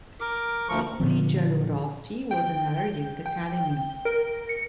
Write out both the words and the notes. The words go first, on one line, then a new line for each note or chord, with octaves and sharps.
Piccoli Giallorossi, was another youth academy.
A#4 D6
D2 F3 A#4 C#6
A#2 D3 F3
G5
G5
A#4
C#7